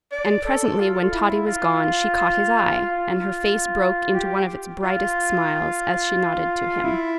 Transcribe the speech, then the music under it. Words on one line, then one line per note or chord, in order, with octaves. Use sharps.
And presently, when Totty was gone, she caught his eye, and her face broke into one of its brightest smiles, as she nodded to him.
D5
A4
F4
E4
F4
F4
G4
F4
E4